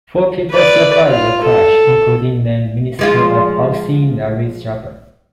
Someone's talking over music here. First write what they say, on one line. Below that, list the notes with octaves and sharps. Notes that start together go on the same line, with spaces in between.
Four people survived the crash, including then Minister of Housing, Larry Shaben.
B4 D5
F4
A4
F3 G#3 F4